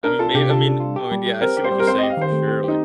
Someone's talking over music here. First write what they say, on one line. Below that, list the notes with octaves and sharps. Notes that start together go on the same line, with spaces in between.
I mean, may I mean well and yeah, I see what you're saying for sure, like
D4 A#4
F4 A4
C3 G4
G3 A4
D4
F4
G4
G3
G3
C4 A#4
G4
C5
G3
A#4
C4 C5
G4 D#5
F5
D#3 C5
A3
C4
D#4 G4